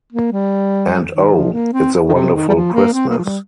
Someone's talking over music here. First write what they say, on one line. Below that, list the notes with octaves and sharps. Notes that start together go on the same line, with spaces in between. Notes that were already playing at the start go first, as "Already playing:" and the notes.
And oh, it’s a wonderful Christmas.
A#3
G3
D#3
F3
A#3
C4
D#3
C3
D#3
G3
F3
A#3
C4
A#3
F3
G3